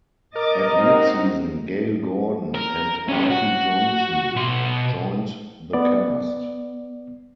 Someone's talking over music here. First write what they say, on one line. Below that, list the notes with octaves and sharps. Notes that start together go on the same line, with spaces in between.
At midseason, Gale Gordon and Arte Johnson joined the cast.
A#4 D#5 D6 A6
C4 D#4 F#4
A#4
C#4 G4
F#4
B2 C6
B3 D5